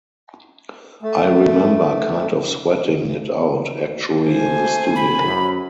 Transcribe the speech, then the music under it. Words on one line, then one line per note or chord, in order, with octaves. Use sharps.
I remember kind of sweating it out actually in the studio.
A3
A3 C5 G#5
B5
F#2